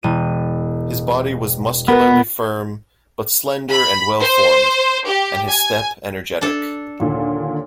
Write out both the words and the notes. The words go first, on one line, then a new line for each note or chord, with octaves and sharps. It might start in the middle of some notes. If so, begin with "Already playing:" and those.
His body was muscularly firm, but slender and well-formed, and his step energetic.
E1 D#7
B3 A#4 B4
B5
C5
G4
G#5
D4 A4
D#2 A#2 D3